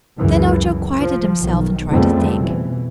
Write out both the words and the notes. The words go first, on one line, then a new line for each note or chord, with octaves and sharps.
Then Ojo quieted himself and tried to think.
C#2 F#2 C#3 E3
F3
B1 D#3
F2 C#3 G3 A3 B3 C4
B2 E3